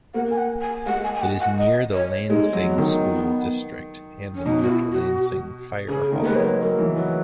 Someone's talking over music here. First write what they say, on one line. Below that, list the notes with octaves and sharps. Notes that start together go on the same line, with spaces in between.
It is near the Lansing School District, and the North Lansing fire hall.
A#3 F#5
G#5
F#5
G#5
G#3 F#5
G#5
G#5
F#5
F#5
D#5
C#5
G#3 D#4
F#3
C#4
B3
D#3
B3
C#4
B2 D#4
F#4
E4
F#4
C#3 G#4
D#3
A#3
G#3 B4
F#3 C#5
B4
F#3 A#4
E3
F#3 B4